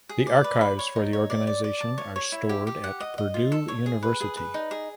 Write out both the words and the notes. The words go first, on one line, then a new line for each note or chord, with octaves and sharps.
The archives for the organization are stored at Purdue University.
G#4
D5
B4
B5
C#5
D#4
C#5
D5
D5
D5
A5
C#5
C#5
E4
G4
G4
F#5
D#5
D#5
F4
A4
C#5
G#4
B4
G#4
B4
D#4
G#4